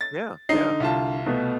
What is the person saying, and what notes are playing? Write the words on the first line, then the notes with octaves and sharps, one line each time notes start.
Yeah, yeah.
A6
D3 D#4 C7
C2 F4 A5
B2 A3 B3